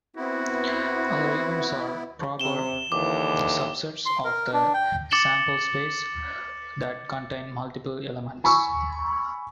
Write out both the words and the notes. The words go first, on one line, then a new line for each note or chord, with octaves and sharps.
Other events are proper subsets of the sample space that contain multiple elements.
B3 C4 E4 F#4
C3 E7 G7
D#2 D3 E3 D6
C6
A#4
D4
G5
D6 A6 C#7 E7 F#7 G7
G#5 B5 C#6 E6